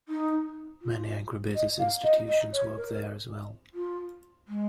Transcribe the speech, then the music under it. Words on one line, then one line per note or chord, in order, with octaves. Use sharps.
Many agribusiness institutions work there as well.
D#4
F4
D#5
F5
D#5
D#5
C#5
A#4
F4
G#3